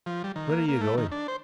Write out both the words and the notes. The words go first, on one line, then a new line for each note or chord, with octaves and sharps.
"Where are you going?"
F3
G3
D#3
A#3
A#3
A3
D#3
D4
C5